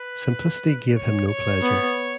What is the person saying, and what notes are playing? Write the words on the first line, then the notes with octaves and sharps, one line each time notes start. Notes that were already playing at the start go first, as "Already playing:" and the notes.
Simplicity gave him no pleasure.
Already playing: B4
C#5
C#5
B3